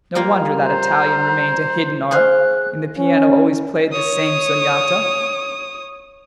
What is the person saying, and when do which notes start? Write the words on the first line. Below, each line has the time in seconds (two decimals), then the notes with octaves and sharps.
No wonder that Italian remained a hidden art, and the piano always played the same sonata.
0.15 G3 A#3 F4 A#5
0.63 C5
2.11 G#4 C5 F5 F#6
2.98 C#4
3.93 C#5 D#6